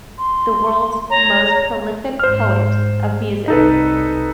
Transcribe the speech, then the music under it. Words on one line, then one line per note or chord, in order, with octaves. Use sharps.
the world's most prolific poet of music,
C6
C#5 A#5
G#2 C5 F6
C2 D#4 A4 B4